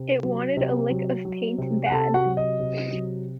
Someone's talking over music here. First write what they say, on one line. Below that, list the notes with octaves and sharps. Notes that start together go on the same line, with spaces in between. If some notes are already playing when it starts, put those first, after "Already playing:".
It wanted a lick of paint bad.
Already playing: C3
F#3
C3
F#3
F#3
C3
F#5
C3 A4 A5
F#4 F#5
F#3
D#5
C3
F#3